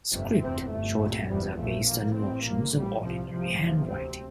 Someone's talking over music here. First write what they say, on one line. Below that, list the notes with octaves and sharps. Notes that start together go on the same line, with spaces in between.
"Script" shorthands are based on the motions of ordinary handwriting.
G1 F2 C3 A3
F1 E2 C3 C4
G1 G2 A3
C2 A#2
F1 E2 C3 G3
A#1 A#2 A3
A#1 A2 A#3
A1 A2 C4
A#1 A#2 A#3
A1 A2 G3
C2 C3 F3
C2 C3 F3
F1 E2 C3
D2 C3 C4